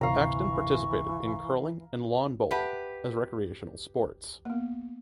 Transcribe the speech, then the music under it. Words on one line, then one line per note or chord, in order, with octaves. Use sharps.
Paxton participated in curling and lawn bowling as recreational sports.
G1 D2 C3 E3 F5 A#5 C#6
G4 B4 E5 F#5 A5
A#3 B3